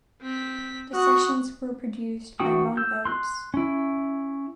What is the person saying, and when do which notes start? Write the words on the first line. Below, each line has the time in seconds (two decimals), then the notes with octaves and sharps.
The sessions were produced by Ron Oates.
0.22 C4 B6
0.94 F#4 C#6 D#6 F#6
2.40 E3 D4 F#4 G5 D#6
2.77 E6 G6
3.05 C6 F#6
3.54 C#4 E4